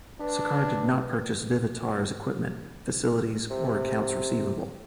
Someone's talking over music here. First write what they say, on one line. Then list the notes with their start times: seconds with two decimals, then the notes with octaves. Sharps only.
Sakar did not purchase Vivitar's equipment, facilities or accounts receivable.
0.20 D4 B4
3.50 C3